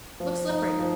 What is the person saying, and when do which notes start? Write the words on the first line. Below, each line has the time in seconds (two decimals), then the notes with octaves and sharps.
Look slippery.
0.20 F3
0.50 D#4
0.79 F3